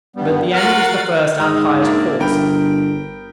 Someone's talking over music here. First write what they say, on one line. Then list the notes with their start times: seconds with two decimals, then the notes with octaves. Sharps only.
But the end is the first and highest cause.
0.16 G2 G3 B3
0.52 F4 F#4 A#4 F#5 A6
1.40 G#2 A#5 D#6 E6
1.82 A#3 D4 E4
2.20 G1 A#4 G5 B5